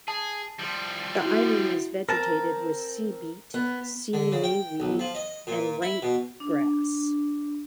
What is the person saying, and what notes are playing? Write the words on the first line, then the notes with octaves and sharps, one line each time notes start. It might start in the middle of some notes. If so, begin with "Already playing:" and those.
The island is vegetated with sea beet, sea mayweed and rank grass.
G#4 A5
F3 G3
E4 F#4
C4 A#4 A5
B3
D3
C#3
G5
B1
F3
D#5
A#2
E4
B2
D4